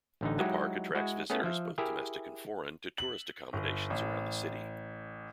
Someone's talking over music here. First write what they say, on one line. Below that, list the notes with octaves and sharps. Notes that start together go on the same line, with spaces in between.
The park attracts visitors both domestic and foreign to tourist accommodations around the city.
A1 D3 D#4
F#3 G#3 D#4 E4 F#4 G4
G#3 E4 F#4
A3 B3 C#4 G#4
F3 E5
E4 G4 G#4 A#4 E5
F#7
G1
A1